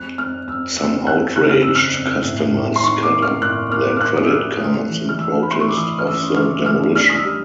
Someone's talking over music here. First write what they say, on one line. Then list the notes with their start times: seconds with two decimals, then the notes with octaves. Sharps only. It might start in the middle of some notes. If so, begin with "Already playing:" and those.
Some outraged customers cut up their credit cards in protest of the demolition.
Already playing: F2 F#6
0.18 F2 F6
0.47 F2 E6
0.77 F2 E6
1.06 F2 F#6
1.36 C#3 F#6
1.49 F6
1.62 F2 E6
1.75 F6
1.95 F2
2.24 A2
2.54 A2
2.76 C6
2.83 D#4 C#6
3.03 D6
3.12 A#3
3.22 F6
3.42 A2 F#6
3.71 A#3 F6
3.97 F6
4.01 A#3 F#6
4.16 D#6
4.23 E6
4.30 F3 F6
4.60 A3
4.89 E3
5.09 F6
5.19 E3 E6
5.43 B5
5.48 A3 C6
5.60 C#6
5.69 D6
5.77 E3 D#6
5.98 F6
6.06 C#4 E6
6.36 E3 F6
6.66 A3 F6
6.95 D4 F6
7.10 D#6
7.14 E6
7.25 G3